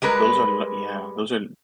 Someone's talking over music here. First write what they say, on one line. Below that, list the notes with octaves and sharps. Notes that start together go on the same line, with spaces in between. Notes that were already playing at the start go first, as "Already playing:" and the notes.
Those are lik yeah, those are,
G3 G#3 A#4 B4